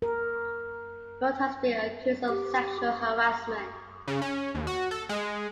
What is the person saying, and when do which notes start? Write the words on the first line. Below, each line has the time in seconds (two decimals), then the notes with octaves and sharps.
Nord has been accused of sexual harassment.
0.02 A#4
2.28 G4
4.08 C#3
4.22 C#4
4.55 D#2
4.67 F#4
4.91 A4
5.09 G#3